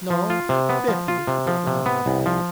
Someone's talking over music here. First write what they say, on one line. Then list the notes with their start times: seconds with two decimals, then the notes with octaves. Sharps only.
"No, fifty," replied the latter.
0.10 F3
0.30 F4
0.49 C3
0.69 B3
0.88 F3
1.08 F4
1.27 C3
1.47 F3
1.67 C3
1.86 B3
2.06 C2
2.26 F3